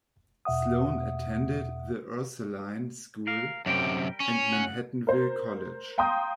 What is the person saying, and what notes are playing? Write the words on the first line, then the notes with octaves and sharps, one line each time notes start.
Sloan attended The Ursuline School and Manhattanville College.
E2 B2 E5 F#5 D#6
A#4 F5
F#2 C3 G3 A#4 G5
C#4
C#2 F#5
A#4 C5
F5 G5 A#5 C6 D#6 G6